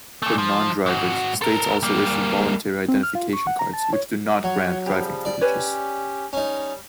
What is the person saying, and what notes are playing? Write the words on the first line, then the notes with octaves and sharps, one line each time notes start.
For non-drivers, states also issue voluntary identification cards which do not grant driving privileges.
A#2 A3
F3
G#2 F#4
A4 A#4
G3 A#3
C4
F6
F4
C#6
F#5
A#5
A5
C#5
F#3 C#5 F#5
C#3 F3 G3 G4
D5
C#4 G4 B4 C#5
G3 C#4 D#4